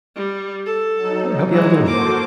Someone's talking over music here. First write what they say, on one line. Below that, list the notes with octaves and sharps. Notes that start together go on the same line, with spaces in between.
Yeah, hope you have a good one.
G3
A4
F#3 D#4
E3 G#3
A#3 F#4 A4 C5 D6